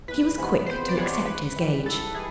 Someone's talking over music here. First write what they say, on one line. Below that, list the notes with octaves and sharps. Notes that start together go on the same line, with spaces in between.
She was quick to accept his gage.
E2 B4
C3 F3 G#3 B3
E2 C5
D5
C3 F3 G#3 B3 C#5
G#2 B4
E3 G3
G#2 A4
E3 G#4